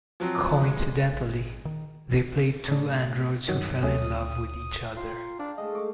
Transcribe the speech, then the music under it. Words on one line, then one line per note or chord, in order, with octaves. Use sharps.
Coincidentally, they played two androids who fell in love with each other.
F3 F#3 C4
D3 G#3
G#1
D#3
A2 C#3 D4
G2 D#3 F#3 F#4
D2 B2 F#3 A3 C#4 D#6
F4 G5 A#5
D4 F5 A5
G#3 A3 A4 D#5
A3 C#6 D6